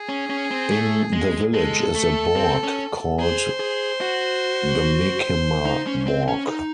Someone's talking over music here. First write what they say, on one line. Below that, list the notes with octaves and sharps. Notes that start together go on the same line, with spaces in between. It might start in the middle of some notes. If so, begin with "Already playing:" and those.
In the village is a "borg" called the Menkemaborg.
Already playing: G#4
C#4
C#4
C4
A3
G#3
G#3 A4
A3
C4
C#4
G#4 C5
G#4
F#4
D#4
C#4
C4
C#4
D#4